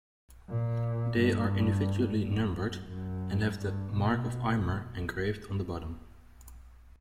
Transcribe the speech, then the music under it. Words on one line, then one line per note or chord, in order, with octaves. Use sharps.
They are individually numbered and have the "mark of Imar" engraved on the bottom.
A#2
G2
F#2
F#2
G2
B2